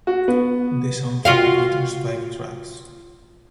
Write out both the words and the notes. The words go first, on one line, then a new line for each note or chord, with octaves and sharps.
The soundtrack features five tracks.
F#4
B3
F4 F#4 F5